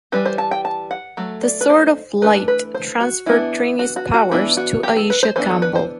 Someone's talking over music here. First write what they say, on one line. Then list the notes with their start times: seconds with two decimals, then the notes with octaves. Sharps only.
The Sword of Light transferred Trini's powers to Aisha Campbell.
0.12 E3 G3 C4 B4
0.25 C5
0.38 A5
0.51 G5
0.65 A5
0.91 F#5
1.17 F#3 A3
1.43 D5
1.61 B4
1.70 C5
2.22 E3 A3 D4 B4
2.35 B4
2.48 B4
2.74 C5
3.00 F#4
3.26 E3 B3 D4 E4
3.79 F#4
3.96 F#4
4.14 F#4
4.31 E3 B3 D4 E4
4.57 F#4
4.83 G4
4.97 A4
5.10 B4
5.23 C5
5.36 E3 B3 D4 C5
5.49 A4
5.62 B4
5.75 C5